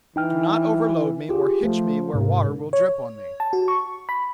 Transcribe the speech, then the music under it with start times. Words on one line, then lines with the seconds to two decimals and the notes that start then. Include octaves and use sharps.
Do not overload me or hitch me where water will drip on me.
0.16 E3 D#4 G5 F6
1.29 F4 G4 G#4
1.64 F3 A3
2.14 G#2 C3 A#3
2.73 C#5
3.40 A5
3.53 F#4
3.68 C#6
4.09 B5